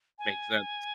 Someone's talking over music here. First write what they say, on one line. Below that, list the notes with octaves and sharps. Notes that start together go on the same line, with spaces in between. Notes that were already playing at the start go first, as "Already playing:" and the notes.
Makes sense.
G#5